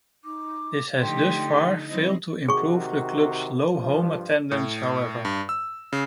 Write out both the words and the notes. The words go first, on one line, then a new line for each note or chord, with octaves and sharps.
This has thus far failed to improve the club's low home attendance, however.
D#4 D6
D3 F3 A3 D#4 G4 G5 C6
F#3 C4 E4 D#5
C3 D#3 F#4 G#4 C#6
G2 F3
A2
G2
E6
C#3